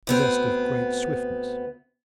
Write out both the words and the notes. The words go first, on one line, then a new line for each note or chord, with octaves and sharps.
Possessed of great swiftness.
D2 B3 C4